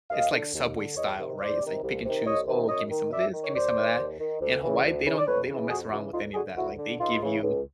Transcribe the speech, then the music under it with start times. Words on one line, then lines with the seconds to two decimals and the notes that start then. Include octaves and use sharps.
it's like Subway style, right? It's like pick and choose, "Oh, give me some of this, give me some of that." In Hawaii, they don't they don't mess around with any of that, like, they give you
0.09 D#2 D#5 F5
0.31 D3
0.53 D#2
0.75 D3
0.96 E2 C#5 D#5
1.18 C3 D#3
1.39 E2 C5 D5
1.61 C3 D#3
1.83 C2
2.04 C3 D#3
2.25 C2 C#5 D#5
2.47 C3 D#3
2.68 F#2 C#5 D#5
2.90 D#3
3.11 F#2 D5 E5
3.33 D#3
3.43 C#5
3.54 D#2 C5 D5
3.76 D#3
3.98 D#2
4.19 D#3
4.40 D2
4.62 C#3 E3
4.83 D2
5.06 C#3 E3
5.18 D5
5.26 F2 B4 C#5
5.48 C#3 E3
5.69 F2 F#4 G#4
5.91 C#3 E3 E4 F#4
6.12 D2 D#4 F4
6.34 D3 F#4 G#4
6.55 D2 E4 F#4
6.77 D3
6.98 C#2 D#4 F4
7.21 C#3 E3
7.42 C#2